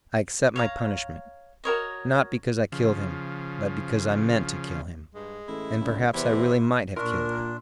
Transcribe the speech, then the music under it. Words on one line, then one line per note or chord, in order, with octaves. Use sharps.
I accept my punishment, not because I killed him, but because I meant to kill him, and perhaps I really might have killed him.
C#5 F5 A#5
F#4 A#4 C#5 D#5
C#3 F3
G2 G#3
A1 E4 A4
C#2 D3
E2 C3 E4 B4
A#2 D4 A#4 E5 C6 C#6